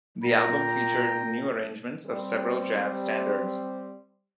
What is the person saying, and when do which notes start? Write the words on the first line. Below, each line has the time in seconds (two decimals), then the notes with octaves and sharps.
The album featured new arrangements of several jazz standards.
0.24 A#2 G5 A#5
2.07 G3 C4